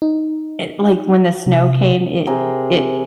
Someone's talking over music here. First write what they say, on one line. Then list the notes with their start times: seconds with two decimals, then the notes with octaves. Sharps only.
it like when the snow came, it it
0.02 D#4
1.46 C3
2.26 C3 G#4 A#4 G5